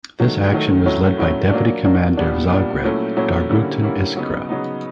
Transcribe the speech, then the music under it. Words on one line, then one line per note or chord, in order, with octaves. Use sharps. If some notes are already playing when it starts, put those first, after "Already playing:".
This action was led by deputy commander of "Zagreb" Dragutin Iskra.
D#3 F#3 A3
D#3 F#3 A3
A2 F#3 A3 C#4
A2 F#3 A3 C#4
F#3 A#3 D4
F#3 A#3 D4
A#2 G3 B3 D4
A#2 G3 B3 D4
A#2 F#3 A3 C#4 E4
A#2 F#3 A3 C#4 E4
D3 G3 A#3 C#4 E4
D3 G3 A#3 C#4 E4
C#3 F#3 B3 D#4
C#3 F#3 B3 D#4